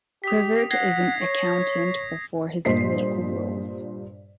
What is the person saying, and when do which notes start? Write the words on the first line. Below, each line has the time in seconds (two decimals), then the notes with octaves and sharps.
Privert is an accountant before his political roles.
0.24 G4 D#6 B6
0.71 F#5 G#6 A#6 C7
1.22 C#5
2.65 G2 A#2 C5 D#5 B6 C7